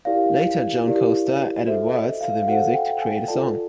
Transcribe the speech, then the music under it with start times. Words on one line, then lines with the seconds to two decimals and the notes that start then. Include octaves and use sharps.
Later Joan Costa added words to the music to create a song.
0.05 E4 G4 A#4 D5 F5
0.86 E4 G4 A#4 D5
1.67 F#4 A4 C5 E5
1.94 D#5
2.21 F5
2.43 F5
2.48 F#4 A4 C5 F#5
2.74 G5
3.02 G#5
3.28 F4 A4 D5 A5